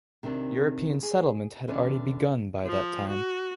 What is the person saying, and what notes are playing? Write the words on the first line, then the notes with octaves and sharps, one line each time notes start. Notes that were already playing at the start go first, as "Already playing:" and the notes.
European settlement had already begun by that time.
C3 D#3 C4 D4
G#4
E2 D3 C#4
F3
F#4